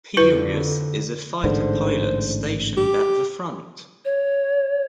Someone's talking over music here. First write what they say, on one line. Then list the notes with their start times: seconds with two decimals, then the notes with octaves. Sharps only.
Pirius is a fighter pilot stationed at the front.
0.17 F2 D3 E4 B4
1.44 A1 G#2 D3 C5
2.77 G4
4.05 C#5